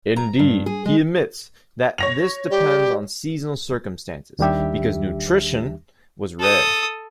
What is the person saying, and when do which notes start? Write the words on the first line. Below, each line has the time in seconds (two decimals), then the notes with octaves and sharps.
Indeed, he admits that this depends on seasonal circumstances, because nutrition was rare.
0.16 A#5
0.39 G2
0.66 G#4
0.85 G#3
1.98 C#5 A#6 F7
2.51 G3 G4
4.39 D#2 D#3 G3 D4 G4 E5
6.40 A4 D#6